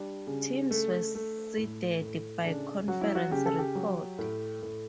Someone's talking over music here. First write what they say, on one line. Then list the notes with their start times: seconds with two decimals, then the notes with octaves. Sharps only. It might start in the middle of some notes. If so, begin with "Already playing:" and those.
Teams were seeded by conference record.
Already playing: G3 D4
0.27 C#3
0.71 A3
1.15 A3
1.58 A2
2.01 A2
2.44 C#3 D4
2.88 F#3 F#4
3.01 E4
3.15 F#4
3.31 C#3 G4
3.46 A4
3.59 G4
3.75 F#3
4.18 A2
4.62 A2